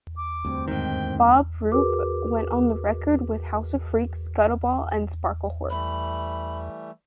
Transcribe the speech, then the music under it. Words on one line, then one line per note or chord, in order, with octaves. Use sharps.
Bob Rupe went on to record with House of Freaks, Gutterball and Sparklehorse.
D6
D2 G2 C4
G#2 D#3 G5
F#4 G#4 A#4 B4 D6
E3 G3 A3 B5